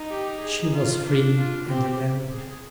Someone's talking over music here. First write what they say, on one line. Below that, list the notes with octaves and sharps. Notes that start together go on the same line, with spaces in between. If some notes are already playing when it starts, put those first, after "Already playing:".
She was free and alone.
Already playing: D#4
G4
G#4
F4
D4
F4
C4 G4
G#4